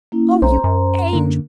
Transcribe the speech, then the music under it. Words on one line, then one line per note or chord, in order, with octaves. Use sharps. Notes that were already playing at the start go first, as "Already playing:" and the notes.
Oh, you angel!
A#3 C#4 E4
B1 C5 A#5 C6
F#2
D3 A#3